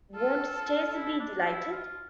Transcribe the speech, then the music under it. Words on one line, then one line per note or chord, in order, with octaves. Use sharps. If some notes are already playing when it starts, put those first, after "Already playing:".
Won’t Stacy be delighted?
F4 A4
F4
F4
E4
D4
E4
F4